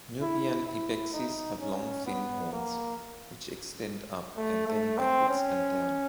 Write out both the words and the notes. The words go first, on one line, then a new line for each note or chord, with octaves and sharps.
Nubian ibexes have long thin horns which extend up and then backwards and down.
E4
E4
D#4
C#4
B3
A#3
A3
A3
C4
C#4